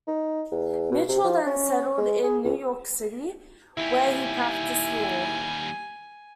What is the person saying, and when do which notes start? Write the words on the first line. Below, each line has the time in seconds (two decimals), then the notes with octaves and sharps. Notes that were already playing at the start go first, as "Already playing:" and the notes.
Mitchell then settled in New York City where he practiced law.
0.08 D#4
0.52 E2
0.92 B2
1.09 C3
1.24 F3
1.47 C#4
1.98 G#3
2.23 G#4
2.44 C#2
3.77 D#2 G3 E4 G#5